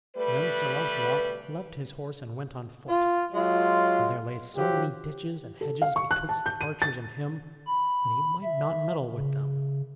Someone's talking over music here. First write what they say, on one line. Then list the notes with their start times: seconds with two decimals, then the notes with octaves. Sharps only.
Then Sir Launcelot left his horse and went on foot, but there lay so many ditches and hedges betwixt the archers and him that he might not meddle with them.
0.16 G3 A3 B4
2.89 F4
3.33 F#3 G#3 F4
4.57 F3 F#3 G4
5.61 A4
5.82 F5
5.96 C#6
6.11 F#6
6.29 A5
6.46 G6
6.61 D#7
6.82 A6
7.67 B5
8.43 E5
9.12 C#3